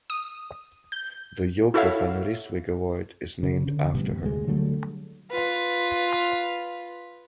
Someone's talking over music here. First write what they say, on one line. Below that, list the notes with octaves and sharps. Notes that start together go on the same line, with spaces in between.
The Joke van Rijswijk Award is named after her.
D#6
G6
E4 F#4 A4 C#5 E5 F5
C#3
D3
A1 C3 G3 B3
D2 G#3
D3 F#3 G3 A3
F4 B4